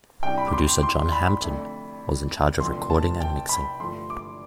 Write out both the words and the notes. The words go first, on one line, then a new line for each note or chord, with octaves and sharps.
Producer, John Hampton, was in charge of the recording and mixing.
C2 C3 G3 D4 G5
B5
D6
C6
C6
C6
B5
F2 D3 A3 D4
F1 F2 D3 F3 A3 C6
A5
G5
B5
G1 G2 F3 A3 D4 C6
D6